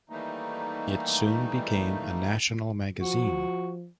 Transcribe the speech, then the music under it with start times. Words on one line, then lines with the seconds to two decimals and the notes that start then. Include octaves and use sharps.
It soon became a national magazine.
0.10 D#3 E3 G3 A3 A#3 D#4
3.01 F3 F#4